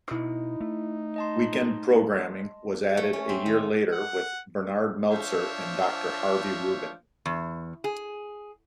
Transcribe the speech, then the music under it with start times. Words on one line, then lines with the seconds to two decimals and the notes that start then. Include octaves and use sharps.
Weekend programming was added a year later with Bernard Meltzer and Doctor Harvey Ruben.
0.11 B2 D#4 E4
0.60 A3
1.16 D#5 A5 C6
2.97 A3
3.13 C#4
3.29 C4
3.46 D#3
3.93 F#5
5.11 F3 D4 C5 C#5 E5
7.26 E2
7.84 G#4